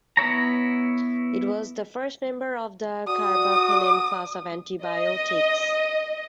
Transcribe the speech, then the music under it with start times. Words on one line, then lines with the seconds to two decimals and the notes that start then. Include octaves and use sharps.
It was the first member of the carbapenem class of antibiotics.
0.17 B3 E4 C#5 A#5
3.08 F#4 D5 D#6
4.84 D#5